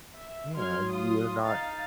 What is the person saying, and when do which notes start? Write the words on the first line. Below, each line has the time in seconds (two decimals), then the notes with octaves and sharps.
Yeah, and you are not
0.15 E5
0.57 F#3 C6 F6 G#6
0.89 F4 C6 D#6
1.44 D#4 F5 A6